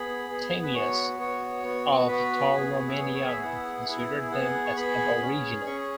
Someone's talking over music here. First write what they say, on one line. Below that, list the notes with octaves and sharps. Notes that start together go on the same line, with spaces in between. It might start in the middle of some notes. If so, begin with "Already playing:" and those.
Timaeus of Tauromenium considered them as aboriginal.
Already playing: B3 G#4 B5
B3 G#4
B4
B3 F#4 C#5
B3 F#4 C#5
B3 F#4
B3 F#4 B4
B3 G#4
E5
B3 G#4 C#5
C#5
E5
B3 E4 G#4 F#5
B3 E4 G#4
B3 G#4 F#5
C#6
B3 G#4 B5
C#4 G#4
C#4 G#4 C#6